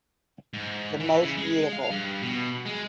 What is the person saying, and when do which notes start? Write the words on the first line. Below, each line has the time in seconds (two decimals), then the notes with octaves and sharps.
The most beautiful.
0.53 G#2
1.00 E3
1.23 C#3
1.37 G#3
1.73 F5
1.91 G2
2.22 B2
2.65 G#3